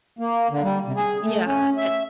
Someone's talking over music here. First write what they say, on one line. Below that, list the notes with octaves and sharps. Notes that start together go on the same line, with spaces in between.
It yeah, and
A#3
D3
G3
C3
G#4
A3
C#4
E5